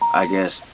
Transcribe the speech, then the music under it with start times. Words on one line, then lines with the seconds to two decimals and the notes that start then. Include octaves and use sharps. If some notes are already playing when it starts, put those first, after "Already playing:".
I guess,
0.01 A#5